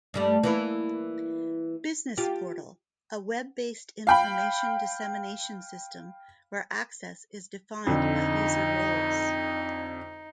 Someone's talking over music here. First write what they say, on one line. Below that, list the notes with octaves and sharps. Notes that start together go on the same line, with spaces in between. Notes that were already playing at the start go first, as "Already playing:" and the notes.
Business Portal: A web-based information dissemination system where access is defined by user roles.
G2 G3 A3
E3 A#3 E4
F4 G4
F5 G5 B5
F2 D3 D#4